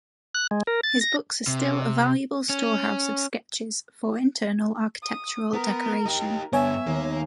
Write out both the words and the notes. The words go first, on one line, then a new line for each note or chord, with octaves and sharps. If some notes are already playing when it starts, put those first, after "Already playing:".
His books are still a valuable store-house of sketches for internal architectural decoration.
F#6
G#3
A#4
A6
A#6
C3
C#4
D#6
B3 A#4
D#4 G4
G2 D3 B3 C#5 E5 G#5
D#2 A#3